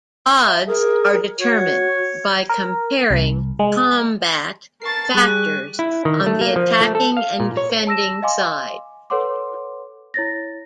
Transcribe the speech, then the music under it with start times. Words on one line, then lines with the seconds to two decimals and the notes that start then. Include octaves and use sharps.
Odds are determined by comparing combat factors on the attacking and defending side.
0.46 E5
0.67 G#4 A#4
1.38 F#4 C#5
2.49 A#4
3.10 C2
3.59 G#3
4.82 A#4 A5 C#6 A6 C7
5.14 G3 G4 G#4 C#6 F#6
5.79 E4
6.05 D#3
6.26 A3
6.41 A#3
6.56 F3
6.81 A3
6.95 A4
7.17 F5
7.40 A#2
7.57 C#5
7.87 A5 E6 A#6 E7
8.22 D#5 F5 G#5 C6 D6
9.10 A4 B4 C#5 F#5 C6 D6
10.14 E4 C#5 A6 A#6